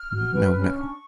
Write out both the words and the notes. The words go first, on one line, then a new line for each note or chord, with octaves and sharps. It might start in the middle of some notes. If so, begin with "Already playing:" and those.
"No, no."
Already playing: F6
F#4
B4
C#4
D4 C#6